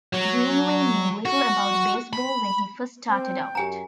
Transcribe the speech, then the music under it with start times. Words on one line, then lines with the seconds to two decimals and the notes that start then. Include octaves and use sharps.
Greenlee knew little about baseball when he first started out.
0.14 F#3
1.25 F#4
2.13 B5
3.10 C4 G5
3.55 F#2 G4 G#5 A#5